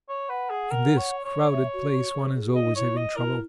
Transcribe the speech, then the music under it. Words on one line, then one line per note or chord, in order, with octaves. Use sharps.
In this crowded place one is always having trouble.
C#5
B4 F#5
G#4
A#4
C#5
C#5
E5
F#4
F#4
G#4
G#4
D#5
D#4
E4 C#5
D#5
E4 A#4